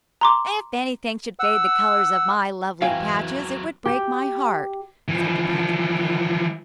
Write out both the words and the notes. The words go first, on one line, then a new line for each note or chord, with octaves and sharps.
"If anything should fade the colors of my lovely patches it would break my heart," said the Patchwork Girl.
A#5 C6 D6
F#5 E6
F2 E3 F#3 C4 E4 F5 G5 G#5
G4
E3 F3